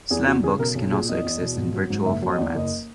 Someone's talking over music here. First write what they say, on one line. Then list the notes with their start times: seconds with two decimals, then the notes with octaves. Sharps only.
Slam books can also exist in virtual formats.
0.11 E2 G#4
0.27 E2 F#4
0.43 C#3 G#4
0.59 B1 A#4
0.75 B1
0.92 A#2 G#4
1.09 E2 D#5
1.24 E2
1.41 B2
1.57 G#1
1.74 F#3
1.90 G#2
2.06 F#1 E5
2.22 F#3
2.30 D#5
2.39 E2
2.55 F#1 D#5